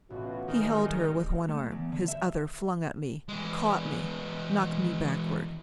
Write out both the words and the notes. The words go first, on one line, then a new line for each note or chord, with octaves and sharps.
He held her with one arm! his other flung at me, caught me, knocked me backward.
A1 B2 F4 F#4
D#3 G3 G#3
A3
E2
D3
E5
E3 G#3